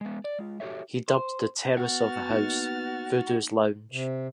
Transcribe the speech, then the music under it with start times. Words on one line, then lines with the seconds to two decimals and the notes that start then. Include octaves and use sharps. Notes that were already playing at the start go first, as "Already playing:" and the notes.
He dubbed the terrace of the house, Voodoo's Lounge.
0.01 G#3 B3
0.24 D5
0.39 G#3 F4
0.60 F#4 G4 A4 C#5 E5
1.08 C5
1.78 B3 F#4 F6 A6
2.29 A#3 D#4
3.92 C3